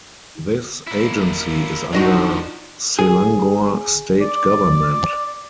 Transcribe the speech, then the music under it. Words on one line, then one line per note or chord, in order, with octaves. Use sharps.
This agency is under Selangor state government.
A#3 E4
F3 F#3 D4 D#4 F#4
G#4
D5